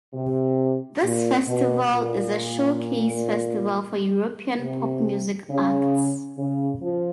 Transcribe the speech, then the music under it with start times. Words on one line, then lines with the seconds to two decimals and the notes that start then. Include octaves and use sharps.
This festival is a showcase festival for European pop music acts.
0.14 C3
1.03 A#2
1.47 B2
1.92 A#2
4.60 C3
5.49 C#3
6.38 C#3
6.82 F3